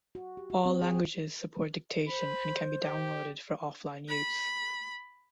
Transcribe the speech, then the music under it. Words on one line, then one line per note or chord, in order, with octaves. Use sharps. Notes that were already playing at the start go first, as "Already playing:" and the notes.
All languages support dictation and can be downloaded for offline use.
F#4
G4
F#4
C4
G#4
C5 B5
G4
B5